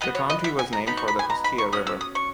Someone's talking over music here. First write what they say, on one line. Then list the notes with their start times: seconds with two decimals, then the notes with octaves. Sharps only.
The county was named for the Costilla River.
0.01 B3 F#4 D#5
0.15 C#5
0.30 D#5
0.44 E5
0.59 G#5
0.73 A#5
0.87 B3 D#4 F#4 B5
0.97 C#6
1.08 B5
1.19 G#5
1.30 A#5
1.44 B5
1.58 C#6
1.73 C#4 D#6
1.76 F#4
1.87 E6
2.01 D#6
2.15 C#6